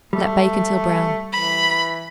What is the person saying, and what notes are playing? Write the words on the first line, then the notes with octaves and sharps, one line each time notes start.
Let bake until brown.
G3 A3
E3 B5